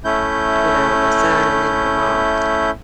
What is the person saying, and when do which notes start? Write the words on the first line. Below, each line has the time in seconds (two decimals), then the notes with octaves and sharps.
you know, my son and then her mom.
0.05 A3 C#4 E4 G6